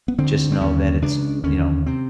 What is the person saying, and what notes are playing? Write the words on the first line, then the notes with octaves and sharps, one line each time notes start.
just know that it's," you know,
B3
D2 D3 C4
C4
D#2 D3 C#4
C#2 C#3 D4
D#2 D3 C#4
C3 C4